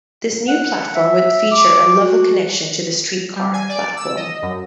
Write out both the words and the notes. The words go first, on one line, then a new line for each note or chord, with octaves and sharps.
This new platform would feature a level connection to the streetcar platform.
F#5
E5
D6
F#4
G3
G#5
D5
E6
D#5
F#2